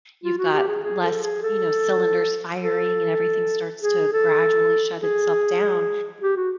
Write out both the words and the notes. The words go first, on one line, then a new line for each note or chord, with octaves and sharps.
you've got less f you know, cylinders firing and everything starts to gradually shut itself down,
F4
F#4
G4
G#4
G#4
A4
G#4
A4
A4
G#4
A4
G#4
G4
F#4